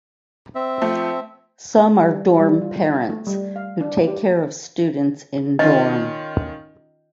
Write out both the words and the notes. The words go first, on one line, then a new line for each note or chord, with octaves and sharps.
Some are dorm parents, who take care of students in dorm.
C4 E5
F3 A3
G3
G3
F4
A3
G3
F5
D4
G4
D#3 C#4 F4 D#5